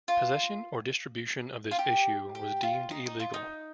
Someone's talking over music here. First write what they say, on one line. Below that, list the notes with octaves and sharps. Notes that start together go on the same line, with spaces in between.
Possession or distribution of this issue was deemed illegal.
F4
F4
G4
G4
F4
D#4
D#4
F4
D#4